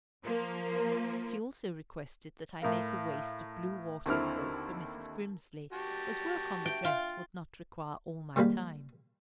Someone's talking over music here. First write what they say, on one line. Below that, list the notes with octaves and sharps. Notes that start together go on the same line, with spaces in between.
She also requested that I make a waist of blue watered silk for Mrs. Grimsly, as work on the dress would not require all my time.
F3 A#3
A2 A#4 F5
D#2 D3 C4 E4 F6
F#4 G4 A5
G5
F4
G#2 D#3 G3 A#3 F5 B5